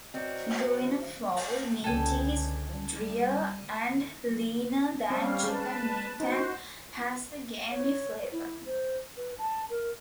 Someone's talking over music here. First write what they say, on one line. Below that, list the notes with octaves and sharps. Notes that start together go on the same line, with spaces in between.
Guineafowl meat is drier and leaner than chicken meat and has a gamey flavour.
C3 F#3 C4 A#4 D5 D#5
C5 E5
C#2 D3 A4 G5 G#5
G3
G3 C4 C#4 F5
G#3 B4 A5
D#4 F#4 C5
C#5
E4
C5
B4
A5
A#4